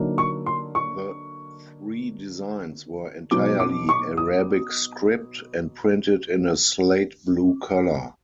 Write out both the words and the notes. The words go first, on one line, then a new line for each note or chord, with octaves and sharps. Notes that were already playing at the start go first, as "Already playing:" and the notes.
The three designs were entirely Arabic script, and printed in a slate blue color.
Already playing: D3 F#3 A#3 D#4
C#6
C6
C#6
B2 F#3 B3 D#4 D6
D6
C#6
D#6